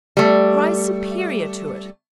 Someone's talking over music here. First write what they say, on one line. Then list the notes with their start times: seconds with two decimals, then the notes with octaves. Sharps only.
Rise superior to it.
0.17 G3 A3